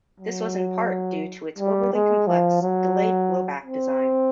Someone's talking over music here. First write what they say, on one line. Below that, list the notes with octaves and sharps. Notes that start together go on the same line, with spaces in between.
This was in part due to its overly complex delayed-blowback design.
F#3
G3
G#3
F3
F#3
C4